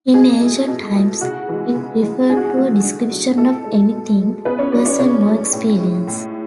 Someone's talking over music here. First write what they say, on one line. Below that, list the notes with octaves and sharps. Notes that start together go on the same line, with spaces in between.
In ancient times, it referred to a description of any thing, person, or experience.
B2 G#4
A3
B2
A3
C#3 F#4
E3 G#3
C#3
E3 G#3
D3 G#4
F#4
G#4
F#3 A3
D3
F#3 A3
B2 A3 A4
G#3
B2
G#3
C#3 B3 B4
C#4 C#5
F#3 A3 D4 D5
C#4 C#5
C#3 C#4 C#5
F#3 A3
A2
G#3
A2